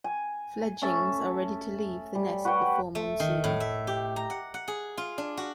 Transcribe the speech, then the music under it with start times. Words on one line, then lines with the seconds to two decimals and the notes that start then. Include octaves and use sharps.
Fledgings are ready to leave the nest before monsoon.
0.04 G#5
0.82 A3 C#4 E5 A5
2.15 G3
2.45 F#4 B4 F#5 G5
2.95 A3
3.20 D#3
3.44 A2
3.60 E5
3.87 G4
4.16 A#5
4.30 F#5
4.54 F#5
4.68 G#4
4.97 F4
5.18 D4
5.37 F#4